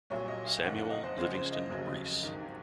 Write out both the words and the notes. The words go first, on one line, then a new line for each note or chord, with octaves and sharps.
Samuel Livingston Breese.
C2 A#2 F#3 A#3 C#5
D#5
F5
F#1 F2 D#3 F#5
F5
D#5
C5
C#2 C#3 F3 G#3 C5
C5
D#5
F1 D#2 C#3 F#3
G#1 G#2 D#3